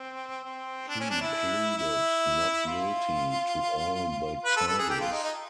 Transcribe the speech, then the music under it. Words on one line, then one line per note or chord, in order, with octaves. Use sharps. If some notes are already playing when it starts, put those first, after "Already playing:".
He pleaded not guilty to all the charges.
Already playing: C4
C4
D4
C#4
D4
E4
E4
F4
B4
A4
A4
G#4
G4
F4
D#4
D#4